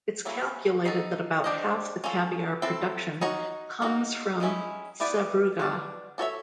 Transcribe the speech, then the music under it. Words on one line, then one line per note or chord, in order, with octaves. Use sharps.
It's calculated that about half the caviar production comes from Sevruga.
F#3 A#3 C#4 E4
D#4 F#4 A4
D4 G4 C5 D#5
C#4 F4 A4
C4 E4 A4
D#4 F#4 A#4 C#5
A#3 D#4 F#4
D#3 G#3 C#4 E4
B3 E4 G4 B4 D5
D4 F#4 B4 D5
D4 F#4 A4 C#5 E5